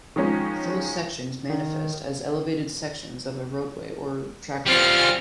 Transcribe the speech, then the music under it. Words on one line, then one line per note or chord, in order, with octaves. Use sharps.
Fill sections manifest as elevated sections of a roadway or trackbed.
D#3 F3 G#3 C#4 D#4
D#3
G3 C4 F4 F6